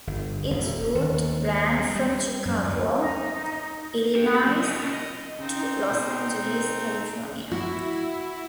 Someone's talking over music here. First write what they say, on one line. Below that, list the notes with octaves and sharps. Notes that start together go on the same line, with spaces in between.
Its route ran from Chicago, Illinois to Los Angeles, California.
G1
D#1
D#2
G3
G3
F#2
D2
D#4
D4 G4
F#5 B5
C#3 F#3
D#5 A5
A#2 C#4
D#5
C#3 C4 D#4
B2 B5 G6
E4 F#4